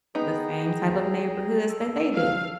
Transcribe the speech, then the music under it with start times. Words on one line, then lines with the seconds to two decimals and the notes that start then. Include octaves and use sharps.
the same type of neighborhoods that they do.
0.15 B3 D#4 G#4 G5 A#5
1.69 A4
2.14 F5